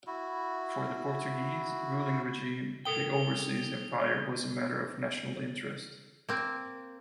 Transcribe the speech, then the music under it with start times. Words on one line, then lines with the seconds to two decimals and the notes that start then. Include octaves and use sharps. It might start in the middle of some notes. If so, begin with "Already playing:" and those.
For the Portuguese ruling regime, the overseas empire was a matter of national interest.
0.07 E4 F#4
2.85 A4 A#4 G5 D#6 G7
6.29 A#3 C4